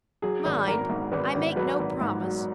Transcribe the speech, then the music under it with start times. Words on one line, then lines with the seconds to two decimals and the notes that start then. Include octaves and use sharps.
Mind, I make no promise!
0.22 F#3 G#4
0.45 G#1
0.67 G#1 A#4
0.89 G#2
1.12 G#1 B4
1.34 G#1
1.56 F#3 B4
1.79 G#1
2.01 G#2
2.24 F#3